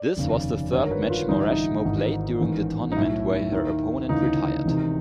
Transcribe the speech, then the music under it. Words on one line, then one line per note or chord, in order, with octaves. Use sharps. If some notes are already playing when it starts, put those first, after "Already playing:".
This was the third match Mauresmo played during the tournament where her opponent retired.
Already playing: D5
F1 D#2 C#3
G#1 G2 D3 C#5
A#4
B4
F4
A1 G2 D3 D#4
E4
D#4
G#1 G#2 E3
A1 G#2 D#3
D#4
B1 A2 E3 E4
D#2 D#3
D2 C#3 E3 D#4
E1 E2 C3 D#3